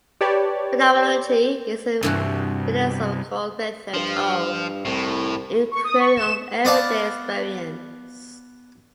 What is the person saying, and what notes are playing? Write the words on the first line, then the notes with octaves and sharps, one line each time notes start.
Phenomenology is a philosophical method of inquiry of everyday experience.
G4 B4 C#5 D5 A5
C2 G2 E3 F#4
G2 F3
C2 A2
C#6
D#6
C#6
E7
B3 D5 F5 A5